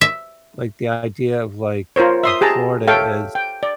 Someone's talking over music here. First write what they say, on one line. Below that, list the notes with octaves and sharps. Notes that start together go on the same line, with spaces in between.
like, the idea of like, uh, Florida is
E5
F4 A#4 C5 C#5
E5 C6 D#6
G4 G#4 A5 A#5
A4 C#5 E5 F5 G5
G5
D5